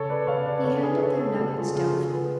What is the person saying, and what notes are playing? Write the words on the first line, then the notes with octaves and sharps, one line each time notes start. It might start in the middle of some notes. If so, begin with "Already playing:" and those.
He handled their nuggets doubtfully.
Already playing: C#3 A4 C#5
B4 D5
C#3 C#5 F5
B4 D5
D3 A4 C#5
G#4 B4
D3 A4 C#5
A4 C#5
C#3 F#4 A4
F4 G#4
C#3 F4 G#4
F#4 A4
C#3 G#4 B4